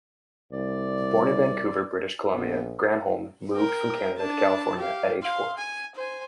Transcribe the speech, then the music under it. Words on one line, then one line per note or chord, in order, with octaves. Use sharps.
Born in Vancouver, British Columbia, Granholm moved from Canada to California at age four.
C2 D5
A#1 B3
A#4 G5
D4 A5
G4 F5
F5 C6
G#5
C5 G#5